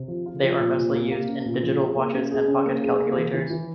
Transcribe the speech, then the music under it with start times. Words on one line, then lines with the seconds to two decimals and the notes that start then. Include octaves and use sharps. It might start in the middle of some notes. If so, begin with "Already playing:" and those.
They are mostly used in digital watches and pocket calculators.
Already playing: C3
0.08 F3
0.26 F4
0.43 F3
0.60 A#2
0.77 A#2
0.94 A#3
1.11 A#3
1.28 C#4
1.46 A#2
1.63 F3
1.80 G#4
1.97 A#3
2.13 C#4
2.31 G#4
2.48 C#4
2.66 A#3
2.82 G#4
2.99 A#3
3.16 E3
3.33 E3
3.50 E3